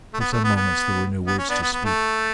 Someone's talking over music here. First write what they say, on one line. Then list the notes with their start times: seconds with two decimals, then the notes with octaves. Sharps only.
And for some moments there were no words to speak.
0.14 A3
0.20 B3
0.32 A3
0.44 B3
0.56 B3
1.27 B3
1.38 C#4
1.50 B3 D4
1.62 B3
1.73 B3
1.85 A3